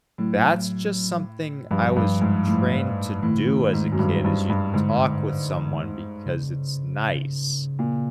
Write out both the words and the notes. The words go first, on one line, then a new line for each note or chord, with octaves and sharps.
"That's just something I was trained to do as a kid is you talk with someone because it's nice."
A2 F#3
G2 F3
G2
G#2
A2
A2 E3
D#3
D3
A2 D#3
G#2
F#2
G2
G2
G2
G#2 D3
C#3
A#2